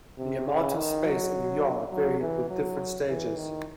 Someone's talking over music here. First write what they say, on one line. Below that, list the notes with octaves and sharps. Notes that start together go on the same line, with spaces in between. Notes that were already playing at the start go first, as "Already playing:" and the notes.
The amount of space in the yard varied with different stages.
C3
C#3
D#3
F#3
F#3
E3
F#3
E3
D#3